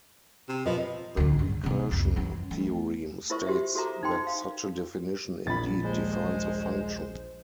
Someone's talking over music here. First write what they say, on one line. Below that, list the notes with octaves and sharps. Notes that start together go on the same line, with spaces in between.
The recursion theorem states that such a definition indeed defines a function.
C3
B2 F3 B4 D#5
A1 D2
E2 G2
C3 B3
C2 F2
F#2 E3
A3
E4 F4 A#4 C5 E5 C#6
F#4 G4 C5 E5
F#4 A4 C5 E5 A#5 D6
D#4 A4 C5 G5 C6
F5
A#1 B5 A6
D#1 G#3 C5